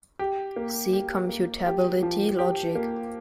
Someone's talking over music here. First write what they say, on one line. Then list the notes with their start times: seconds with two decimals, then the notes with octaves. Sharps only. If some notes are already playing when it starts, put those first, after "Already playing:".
See Computability logic.
0.19 G4
0.56 A#3
0.93 G4
1.29 A#3
1.66 G4
2.03 F3
2.39 G4
2.75 A#3